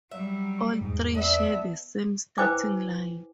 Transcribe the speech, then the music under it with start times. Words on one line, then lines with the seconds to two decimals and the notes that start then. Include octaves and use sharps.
All three share the same starting line.
0.11 F#3 G3 E5
0.81 E2 G#2
1.15 B3 D4 E5
2.38 E4 B4 C5 G5 G#5 D6